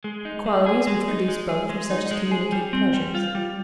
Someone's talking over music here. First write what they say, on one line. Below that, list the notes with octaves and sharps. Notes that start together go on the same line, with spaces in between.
The qualities, which produce both, are such as communicate pleasures.
G#3
D#4
G#3
G#4
G#3
D#4
G#3
G#4
G#3
D#4
G#3
G#4
G3
C4
G3
F4
G3